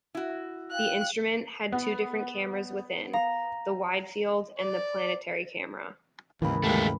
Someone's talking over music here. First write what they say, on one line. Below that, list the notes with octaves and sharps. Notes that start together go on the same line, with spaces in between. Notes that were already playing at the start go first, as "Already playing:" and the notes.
The instrument had two different camera's within, the Wide Field and the Planetary Camera.
E4 F#4
F5 G5 F#6
B3
F5 A#5
D5
D#2 G#2 C#3 E3 A#4 B4 B5
D#2 G#3 A3